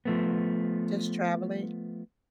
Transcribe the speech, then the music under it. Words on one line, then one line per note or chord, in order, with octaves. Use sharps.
Just traveling?
F3 A3 B3